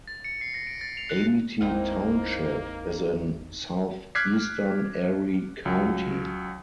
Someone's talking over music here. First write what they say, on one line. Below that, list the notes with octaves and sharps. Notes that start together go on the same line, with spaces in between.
Amity Township is in southeastern Erie County.
A6
C#7
C7
A#6
D7
A6
F7
F#6
G#1 E2 G#3 A#3 C4 D#4 E4
D6 F6 F#6 G#6 B6 C7
C#2 F#3